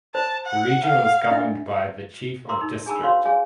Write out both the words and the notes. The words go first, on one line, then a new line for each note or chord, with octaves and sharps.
The region was governed by the Chief of District.
C5 A5
F#5
F5 F#5
D4 D#5 E5
A#4 A#5 C6 D6 E6
D#4
D4 G#4 G#5 A5 B5 E6
F#4 B4 C#5 F5 C6
G#4 C#5 F5 G#5